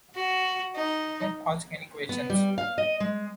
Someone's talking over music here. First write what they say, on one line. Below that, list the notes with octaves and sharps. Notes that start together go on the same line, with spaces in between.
Don’t ask any questions.
F#4
D#4
B3
G3
F5
D#5
G#3